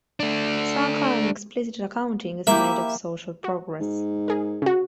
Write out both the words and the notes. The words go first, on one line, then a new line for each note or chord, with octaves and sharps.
Sarkar an explicit accounting is made of social progress.
A3 D4
A#3 E4 G4 E5
F#4
G#2
G#4 A#4
C#3 F#4